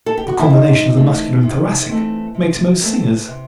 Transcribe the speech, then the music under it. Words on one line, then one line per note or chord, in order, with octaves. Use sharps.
A combination of the Muscular and Thoracic makes most singers.
A4
G4
F#4
E4
C3 D#4
E3 A3 C4
C3
E3 A3 C4
C3
E3 A3 C4
C3